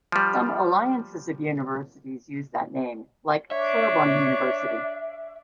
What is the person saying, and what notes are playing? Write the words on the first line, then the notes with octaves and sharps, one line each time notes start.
Some alliances of universities use that name, like Sorbonne University.
F3 G3
D4 C#5 E5